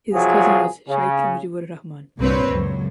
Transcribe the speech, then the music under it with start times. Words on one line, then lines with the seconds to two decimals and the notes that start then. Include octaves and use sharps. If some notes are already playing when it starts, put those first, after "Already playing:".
His cousin was Sheikh Mujibur Rahman.
0.13 C2 F3 F#3 F4 G#4
0.88 C#3
2.18 C2 G2 A#2 C4 B4 C#5
2.51 C#2 F#2